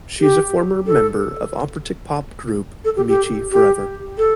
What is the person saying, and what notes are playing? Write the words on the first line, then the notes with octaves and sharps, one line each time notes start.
She is a former member of operatic pop group Amici Forever.
G4
A4
A4
G4
G4
G4
A4